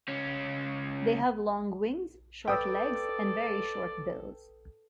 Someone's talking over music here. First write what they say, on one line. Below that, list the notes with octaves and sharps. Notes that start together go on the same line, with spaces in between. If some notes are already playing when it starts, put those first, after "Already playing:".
They have long wings, short legs, and very short bills.
C#2 C#4
A4 B4 D5 G5 D#6 E6